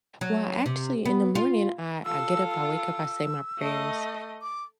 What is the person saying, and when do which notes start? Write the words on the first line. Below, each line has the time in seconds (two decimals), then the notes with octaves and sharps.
Well, actually, in the morning, I I get up, I wake up, I say my prayers,
0.21 F#3
0.66 C3
1.05 B3
1.35 F4
2.05 F4 A4 E6
2.51 E6
3.58 A3 D#5
4.42 D6